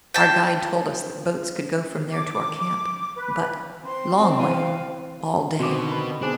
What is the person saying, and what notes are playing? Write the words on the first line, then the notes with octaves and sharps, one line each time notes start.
Our guide told us that boats could go from there to our camp--but "long way--all day."
G5 A5
D6
B4
C4 C6
E3 F5
B2 D3 D#3 C4 F#4 D6
B5
B3 D4 G#4 C5 G#5 A5